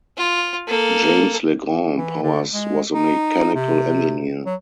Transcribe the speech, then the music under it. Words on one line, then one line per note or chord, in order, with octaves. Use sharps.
James Legrand Powers was a mechanical engineer.
F4
A#3 A4
E3
D3
G#3
D#4
C3
F#3